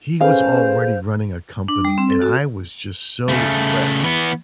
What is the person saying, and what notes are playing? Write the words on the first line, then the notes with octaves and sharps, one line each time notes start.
he was already running a company, and I was just so impressed,
C#4 G#4 A4 B4 C5 F5
D4
G3
C4
A4
F#4
C#3 A3
E3 B3